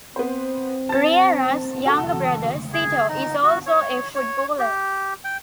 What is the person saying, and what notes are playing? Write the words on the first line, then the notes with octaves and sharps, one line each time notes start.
Riera's younger brother, Sito, is also a footballer.
B3 C4 C5
A5 A6
F#4 A4
G#4
D#4
F#4
C#5
C#5
G4
G5